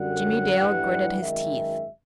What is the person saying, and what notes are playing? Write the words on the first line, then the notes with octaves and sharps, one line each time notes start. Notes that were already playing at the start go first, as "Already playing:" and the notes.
Jimmie Dale gritted his teeth.
Already playing: F#2 D3 G3 F#5
A1 G2 E3 G3
G#1 F#2 D#3 G#3 E5